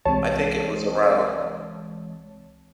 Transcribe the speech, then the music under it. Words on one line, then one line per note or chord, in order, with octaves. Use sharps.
I think it was around,
C2 E3 G#3 C4 C#5 A5